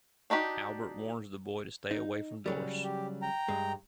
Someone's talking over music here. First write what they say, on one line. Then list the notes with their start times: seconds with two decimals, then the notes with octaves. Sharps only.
Albert warns the boy to stay away from Doris.
0.30 D4 D#4 F#4 G4
1.91 D#4
2.46 C#3 F#3 G3
2.84 G4
3.22 G5 A#5
3.48 G2 G#3